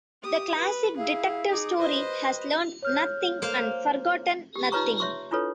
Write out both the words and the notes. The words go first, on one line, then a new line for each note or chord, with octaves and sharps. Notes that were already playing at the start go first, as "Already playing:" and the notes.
The classic detective story has learned nothing and forgotten nothing.
G4 D#6
B4
E4 G#4 F5
D#4 G#4 D6
B4 C5 D#5
C#5 F6 G6
A#3 C5 F5
G4
D#4 F4 B4 C#5 A#5 C#6
C#5 E5 C6 C#6
D4 E4 F4 A4 B4 C#5